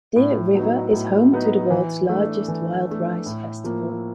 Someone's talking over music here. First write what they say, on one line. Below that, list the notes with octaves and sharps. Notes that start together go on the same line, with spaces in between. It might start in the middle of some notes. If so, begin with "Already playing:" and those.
Deer River is home to the world's largest Wild Rice Festival.
A2
F#3 B3 D#4
A2
F#3 B3 D#4
E3
A3 D4
E3
A3 D4
A2
F3 A#3